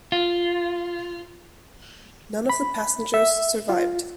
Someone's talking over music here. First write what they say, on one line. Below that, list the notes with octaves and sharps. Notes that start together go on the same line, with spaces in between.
None of the passengers survived.
F4
B5
E5
F4